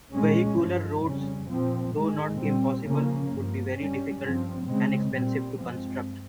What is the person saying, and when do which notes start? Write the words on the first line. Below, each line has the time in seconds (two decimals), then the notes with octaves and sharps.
Vehicular roads, though not impossible, would be very difficult and expensive to construct.
0.12 A#2 G#3 C#4
0.57 G2 F3 G#3
1.03 F2 C#3 G3 C#4
1.49 A#2 F3 C4
1.94 G#2 D#3 G#3
2.39 A#2 G3 C4
2.85 C#3 F3 A#3 C#4
3.30 G2 F3 A#3
3.76 G2 G3 C#4
4.21 G2 F3 C4
4.67 C#3 G#3 C4
5.12 A#2 G3 C4
5.58 G2 F3 G#3 C4